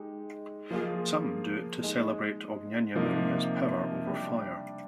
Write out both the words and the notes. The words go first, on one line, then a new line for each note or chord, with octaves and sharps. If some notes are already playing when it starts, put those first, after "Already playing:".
Some do it to celebrate Ognyena Maria's power over fire.
Already playing: G#3 D#4 G4
F3 A#3 F4 G#4
G#3 D#4 G#4
C3 F3 A#3 D#4
G3 D4 G4